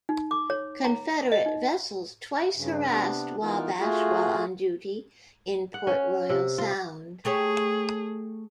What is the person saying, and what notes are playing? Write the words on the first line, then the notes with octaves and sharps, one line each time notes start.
Confederate vessels twice harassed "Wabash" while on duty in Port Royal Sound.
D#4
D6
C#5
A#5
D#5
D#4
G2 C#3
C3 B3 D4
E3 B3 D#4 F4 A#4
A3 F4 F#4 G#4
F#5
C#4
C3
F4
A3 G4 G#4 C#5